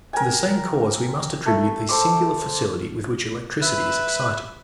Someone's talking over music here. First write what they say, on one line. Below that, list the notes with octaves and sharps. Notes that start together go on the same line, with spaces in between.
To the same cause we must attribute the singular facility with which electricity is excited.
A#4 G5 G#5
A3
A4 C5 D6
B4 E5